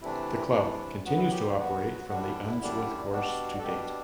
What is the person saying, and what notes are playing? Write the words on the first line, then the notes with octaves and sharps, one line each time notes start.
The club continues to operate from the Unsworth course to date.
C3 E3 A3 D4 E4
C3 E3 A3 D4
F#2 F#3 B3 F#4
E4
F#4
G4
F#2 F#3 B3 F#4
F#2 D3 G3 D4 F#4
E4
E4
F#2 D3 G3 D4
B2 G3 D4 F#4
A4
B2 G3 D4 G4